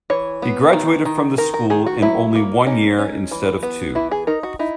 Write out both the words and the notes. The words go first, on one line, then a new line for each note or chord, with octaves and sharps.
He graduated from this school in only one year instead of two.
E3 C#5
B3
D#3
D#3
D#3 A#4
A#4
D#3 G#4
F#4
F#3 E4
A#3
C#4 D#4
C#4
E3
B3
E3 E4
G#4
D#4 A#4
F#4
D#4 E4